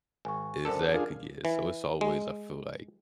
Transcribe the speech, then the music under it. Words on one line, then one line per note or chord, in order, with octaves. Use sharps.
Exactly, yeah. So, as always I feel like
G#1 G#5 C#6
F#2 D3 A4 A#4 C5
D4 F4 G#4 A#4
E3
G#3